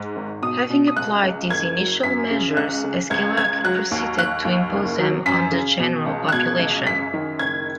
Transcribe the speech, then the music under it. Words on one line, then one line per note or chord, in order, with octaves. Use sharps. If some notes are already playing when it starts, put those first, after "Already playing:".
Having applied these initial measures, Esquilache proceeded to impose them on the general population.
Already playing: G#2
G#1
B2 D#6
B2
D#6
C#2 F#6
C#2
F#1 G#6
F#3
F#2 B6
C#3
C#2 F#6
C#3
C#2 G#6
C#2 G#6
F#3 F#6
D#2
D#2 F#6
D#2
F#1
F#3
F#2 B6
C#3
B2
C#2
F#6
B2 G#6
C#2
F#2 B6
D#3
F#1 G#6